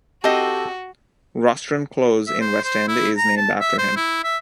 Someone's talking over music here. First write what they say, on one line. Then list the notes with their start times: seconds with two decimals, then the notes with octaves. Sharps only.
Rostron Close in West End is named after him.
0.24 C4 F#4 G4 A4 D#5
2.28 E5
2.41 C5
2.64 C5
2.88 E4
3.17 A#5
3.37 A5
3.61 E5
3.78 C5
3.96 E4
4.24 E5